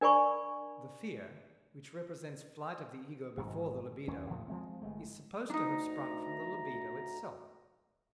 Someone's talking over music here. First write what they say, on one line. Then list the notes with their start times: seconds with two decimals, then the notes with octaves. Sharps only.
The fear, which represents flight of the ego before the libido, is supposed to have sprung from the libido itself.
0.01 D4 A#4 D5 G#5 B5 C#6
3.37 G#1 G#2 D#3 F#3
4.08 D#2 C#4
4.30 A2 F3
4.48 F3 G#3 C4
4.82 G1 G#3 A3
5.50 D2 D4 D#4 A#5